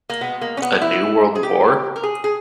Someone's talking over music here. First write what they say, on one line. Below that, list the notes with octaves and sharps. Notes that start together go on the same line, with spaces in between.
A New World War?
A#3
B2 G#3 B3
A#3
C#4
B3
E4
G#4
G4
A#4
G#4
G#4